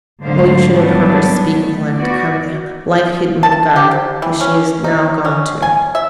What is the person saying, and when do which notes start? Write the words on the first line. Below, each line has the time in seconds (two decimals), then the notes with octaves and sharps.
Oh, you should have heard her speak of the life to come--the life hidden with God, that she is now gone to.'
0.23 G#2 D3 F#3 A3 C5 F5
0.71 F#3 G3 B3 C#4 D4
1.52 A3
1.94 B3 F#4 D5
3.43 A5
3.76 G4
3.91 C3
4.22 E3
4.41 C#4
4.84 D#4
5.25 C#4
5.62 G#5
5.95 E5